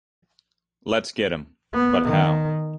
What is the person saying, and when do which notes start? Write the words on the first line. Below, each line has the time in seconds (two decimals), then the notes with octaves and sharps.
Let’s get him? But how?
1.74 B3
2.05 D#3